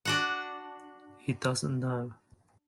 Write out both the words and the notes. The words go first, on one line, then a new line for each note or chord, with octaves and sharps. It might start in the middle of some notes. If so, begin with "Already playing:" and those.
He doesn't know.
D4 F#4 F#5